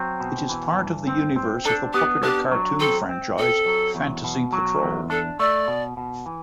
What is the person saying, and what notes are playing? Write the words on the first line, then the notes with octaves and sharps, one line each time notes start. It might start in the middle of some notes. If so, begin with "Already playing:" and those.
It is part of the universe of the popular cartoon franchise "Fantasy Patrol".
Already playing: F#3 C4
B2
E3
G2
C4
C4
D4 A4
B3 G4
D4 G4
F#3
C4 A4
C4
C4 A4
F#3
E2
B2
F#3
E2
D4 A4
A3 D5
B2
B2
E3